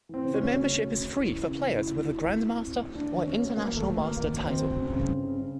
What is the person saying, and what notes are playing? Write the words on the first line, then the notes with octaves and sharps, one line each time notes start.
The membership is free for players with a Grandmaster or International Master title.
E3 C4
C#3
C#4
D2
C#3 C#4
D2
C#3
C#3
E3
E3
C#3
C#3
D2 E4
D2
D2
D2
D2
C3
C3
D2
D2 D4
D#3
D2 C#4
D2
D2 A#3
D#3 A3
D2
D#3 A#3
D#3 A#3
D2
D#3 C4
D2
C#3
C#3
G1
C#3
C#3